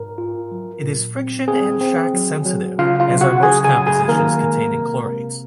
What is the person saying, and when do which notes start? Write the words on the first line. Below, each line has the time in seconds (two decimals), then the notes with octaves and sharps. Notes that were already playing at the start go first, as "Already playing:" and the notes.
It is friction and shock sensitive, as are most compositions containing chlorates.
Already playing: G#2 A#4
0.18 F4
0.52 F#3
0.84 A#2
1.15 C4
1.48 C4 G#4
1.81 C4
2.14 F#3
2.46 F#3
2.78 C#3 F4 F5
3.00 F4 F5
3.10 F#3
3.21 F#4 F#5
3.43 C#3 G#4 G#5
3.64 G#4 G#5
3.76 F#3
3.87 G#4 G#5
4.08 D#3 A#3 A#4
4.40 G#3
4.73 C3
5.06 C3